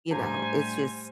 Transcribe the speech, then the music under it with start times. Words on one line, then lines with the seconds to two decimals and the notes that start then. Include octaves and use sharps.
You know, it's just
0.11 A2 G3 D4 G4 C5 G#5 A#5